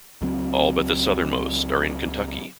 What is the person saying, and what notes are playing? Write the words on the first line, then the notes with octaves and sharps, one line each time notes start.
All but the southernmost are in Kentucky.
C#2 F#3 C4